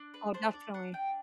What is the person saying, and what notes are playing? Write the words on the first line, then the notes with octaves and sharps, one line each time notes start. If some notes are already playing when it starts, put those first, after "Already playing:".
Oh, definitely.
Already playing: D4
B4
D4 C5
D5
D4 F#5
G5